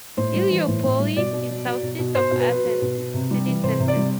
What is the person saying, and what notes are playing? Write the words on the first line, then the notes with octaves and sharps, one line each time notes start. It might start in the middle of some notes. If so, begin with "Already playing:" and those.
Ilioupoli is southeast of Athens city centre.
A2 C5
G3
E3
A2
A2
G3
B2 D5
B2
F#3
F#3
B2
B2
B2 C5
B2
B4
F#3
F#3
B2
B2
C3
G3
E3
C3 C5
C3
D5
G3